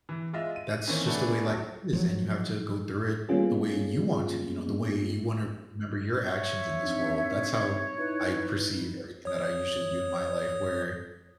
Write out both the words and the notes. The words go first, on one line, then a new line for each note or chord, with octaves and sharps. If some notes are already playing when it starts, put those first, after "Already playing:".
that's just the way life is, and you have to go through it the way you want to, you know, the way you wanna remember your actions in this world. That's how I perceive everything that I usually do in my life, where
E3
G#3 F4 D#5 E5
D#7
D#3 E3 A#3 C4 C#4
A3 B3 D4 G#4
D#1 F#3
F3 F#3
G3 A#3 B3 C#4 F4 G#4
C#5 E5
C4 D4 D#4
D#4 E4 B4
C#5 D#6